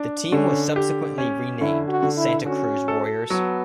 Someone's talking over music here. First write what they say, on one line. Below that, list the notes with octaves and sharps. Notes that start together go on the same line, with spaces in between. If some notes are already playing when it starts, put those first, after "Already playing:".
The team was subsequently renamed the Santa Cruz Warriors.
Already playing: D4
D3 C#4
G4
C#4
D3 E4
F#4
D3
E4
C#4 F#4
A4
F#3 B3